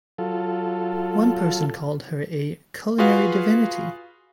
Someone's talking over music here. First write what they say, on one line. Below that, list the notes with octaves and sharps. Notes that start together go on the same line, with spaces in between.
One person called her a "culinary divinity".
F#3 F4 A4
F4 F#4 G#4 B4 F5